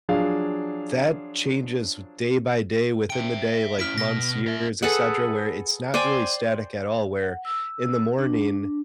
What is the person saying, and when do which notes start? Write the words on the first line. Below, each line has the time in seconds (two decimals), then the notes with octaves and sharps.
that changes day by day, within the day, like, months, years, etcetera, where it's not really static at all, where in the morning,
0.09 F3 F#3 D4 G#4 F5
3.10 E5 G5 D7
3.79 C#4 E4 F6 B6 D7
3.98 B2 A#6
4.47 A#4 E5
4.82 G#4 A4 B4 F#5
5.94 C5 D5 G5 G#5
7.22 F#5
7.45 E6
8.19 D4